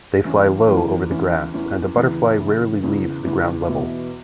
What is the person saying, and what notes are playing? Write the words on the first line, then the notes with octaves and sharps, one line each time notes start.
They fly low over the grass and the butterfly rarely leaves the ground level.
E2 E3 C#4
E2 E3 C#4
E2 E3 C#4
E2 E3 C#4
E2 C#3 E3
E2 C#3 E3
E2 C#3 E3
E2 C#3 E3
E2 B2 B3 E4